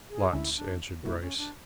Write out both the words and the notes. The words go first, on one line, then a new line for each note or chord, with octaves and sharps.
"Lots!" answered Bryce.
G#4
D2 D3 G#3 C#4 E4
D4
B2 F#3 A3 E4
C#4
D4